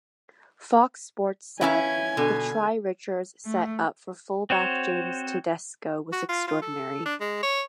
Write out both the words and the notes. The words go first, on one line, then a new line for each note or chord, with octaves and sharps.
Fox sports said, The try Richards set up for fullback James Tedesco was extraordinary.
C#4 E4 B4 E5 F5 G#5
B2 D3
A3
C4 F#4 C5 C#5
F#4
F4
F4
A4
D4
G#3
C#5